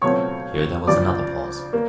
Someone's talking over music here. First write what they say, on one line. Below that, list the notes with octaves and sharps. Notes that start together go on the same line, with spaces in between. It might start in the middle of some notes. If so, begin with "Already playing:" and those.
Here there was another pause.
C#2 B2 F#3 A3 C4 C#5 C#6
D2 C#3 F3 D5 D6
A#3